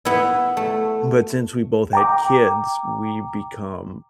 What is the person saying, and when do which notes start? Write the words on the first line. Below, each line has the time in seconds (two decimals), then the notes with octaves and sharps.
But since we both had kids, we’ve become
0.05 B3 E4
0.57 A3
1.93 G5 A#5 D6